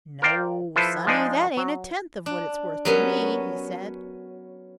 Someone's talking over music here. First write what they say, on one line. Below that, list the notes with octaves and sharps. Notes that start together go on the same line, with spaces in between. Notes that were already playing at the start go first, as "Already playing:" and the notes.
"No, sonny, that ain't a tenth of what it's worth to me," he said.
A#4 C5 D5 F5 G5
F3 E4 A4 B4 C5
F3 G#3 D4 D#4 G#4 D5
F#3
D4
F#3 B3 C#4 G4 A#4 B4